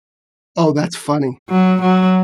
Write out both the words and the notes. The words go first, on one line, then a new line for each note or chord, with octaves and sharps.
Oh, that's funny.
F#3
F#3